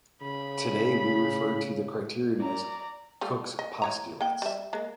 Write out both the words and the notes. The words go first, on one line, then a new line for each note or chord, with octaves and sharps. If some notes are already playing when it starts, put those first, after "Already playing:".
Today we refer to that criterion as Koch’s postulates.
C#3 B5
D5 A#5
G3 A3 F4
D#5
E3 C#5 A#5
A#3 G5
G3 E5
G#3 A#3